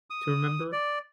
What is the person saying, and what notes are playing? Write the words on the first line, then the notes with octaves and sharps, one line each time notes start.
to remember,
D#6
D5